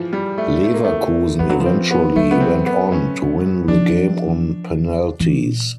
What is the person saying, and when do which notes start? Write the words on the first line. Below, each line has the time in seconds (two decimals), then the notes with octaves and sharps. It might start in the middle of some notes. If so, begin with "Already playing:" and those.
Leverkusen eventually went on to win the game on penalties.
Already playing: E3 F3
0.13 G3
0.38 A3
0.64 A3
0.74 A#3
0.84 A3
1.39 F3 B3
1.49 F#3
1.60 F3
1.66 C4
1.91 B3
2.15 F#3 A3
2.31 B3
2.40 C4
2.66 B3
2.92 C#4
3.68 F3 D4
5.20 E3
5.45 A#2